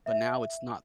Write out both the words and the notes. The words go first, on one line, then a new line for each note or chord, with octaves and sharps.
but now it's not
E5